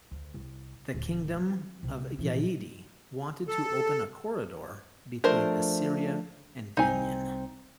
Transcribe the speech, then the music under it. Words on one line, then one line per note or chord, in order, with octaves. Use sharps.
The Kingdom of Ya'idi wanted to open a corridor between Assyria and Denyen.
D2
C2
D1 D2
F#3 C4
C2 C3
A#1 E3
A4
F3 A3 D4 A#4 C5
C2 C4 D#4 G#5